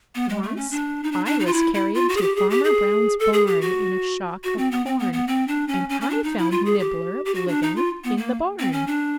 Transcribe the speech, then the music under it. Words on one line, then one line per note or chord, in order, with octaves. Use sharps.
"Once I was carried to Farmer Brown's barn in a shock of corn and I found Nibbler living in the barn."
B3
G#3
A3
C#4
D4
D#4
D4
D4
D#4
F4
E4
E4
F4
F#4
G#4
G4
G#4
G4
G#4
A4
G#4
G4
F#4
F#4
C4
B3
C4
B3
B3
C4
D4
C#4
C#4
C#4
D4
D#4
E4
F4
G#4
G4
G4
F#4
D4
D#4
F4
B3
A#3
C4
C#4
D4